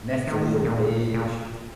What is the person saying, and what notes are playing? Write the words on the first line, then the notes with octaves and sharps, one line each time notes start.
Nasty Lil bitch!
D#3
A#2
A#2